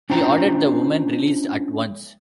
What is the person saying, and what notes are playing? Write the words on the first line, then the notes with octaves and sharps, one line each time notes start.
He ordered the women released at once.
C#4 D4 F4 C5 G5 A#5